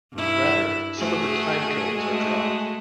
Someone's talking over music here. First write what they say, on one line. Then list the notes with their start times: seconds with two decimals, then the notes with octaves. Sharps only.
Rather, some of the "timecodes" are dropped.
0.13 G2 E4
0.96 A3 F#4 G#4
1.96 G#3 A3 F#4